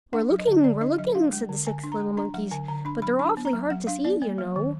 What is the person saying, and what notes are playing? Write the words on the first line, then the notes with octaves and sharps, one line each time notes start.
"We're looking, we're looking," said the six little monkeys, "but they're awfully hard to see, you know."
D4 F#5
F#3
D#5
D3
D3 D5
D4 D#5
F#3 D#5
D4 F5
G#3
D3
D3 G#5
D4
A#5
G#3
D4 A#5
F#3 F#5
D3 G#5
D3 A#5
D4 B5
F#3 B5
D4 B5
B3
A#5
F#3
F#3 F#5
D4 F5
B3 D5
A#3
F#3
D#3